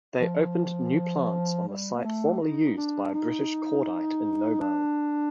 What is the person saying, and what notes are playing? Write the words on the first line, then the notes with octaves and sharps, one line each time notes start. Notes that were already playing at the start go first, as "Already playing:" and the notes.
They opened new plants on the site formerly used by British Cordite in Nobel.
F3
G3
A#3
A3
D#4
D4
D#4
D4